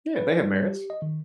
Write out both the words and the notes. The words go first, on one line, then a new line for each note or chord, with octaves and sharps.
Yeah, they have merits.
B4
G3
G4
D#5
D#3